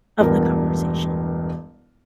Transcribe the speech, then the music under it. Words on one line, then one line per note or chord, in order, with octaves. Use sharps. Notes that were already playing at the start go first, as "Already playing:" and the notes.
of the conversation.
E1 A1 G2 B3 A#4